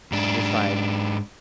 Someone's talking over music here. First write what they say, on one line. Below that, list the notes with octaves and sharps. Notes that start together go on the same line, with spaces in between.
and just, like,
G#2 D4